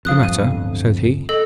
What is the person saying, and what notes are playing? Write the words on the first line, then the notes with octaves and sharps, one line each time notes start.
'The matter?' said he.
F2 F3 F5 D#6 F#6
D1 G1 F2 D#7
A4 D#5